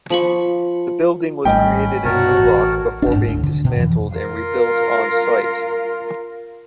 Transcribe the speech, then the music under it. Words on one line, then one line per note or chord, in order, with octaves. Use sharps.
The building was created in Gourock before being dismantled and re-built on site.
F3 B5 C#6
G#1 G3 A3 C#4 D#5 G5 B5
C2 G2 B2 F#4 A#4 C#5 A5
A1
F1 D4
G#2
D2
D3
B2
F2 E3
F4 A#4